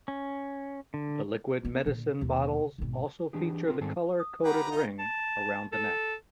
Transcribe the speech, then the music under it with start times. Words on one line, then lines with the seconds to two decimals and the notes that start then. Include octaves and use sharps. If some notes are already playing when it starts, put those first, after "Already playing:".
The liquid medicine bottles also feature the color-coded ring around the neck.
0.08 C#4
0.94 D3
1.65 B3
1.86 A#2 D3
2.21 D#2 B2
2.78 G#1 B2
3.33 E3 D4 G4 G#4
3.67 C4 F4 A#4 B4
3.81 G#2 D#3 G3 C4 G#4 A4
4.19 D#6
4.44 D4 G4 B4 D5 F#5 A#5
4.71 D#4 F4
4.99 A5
5.72 A4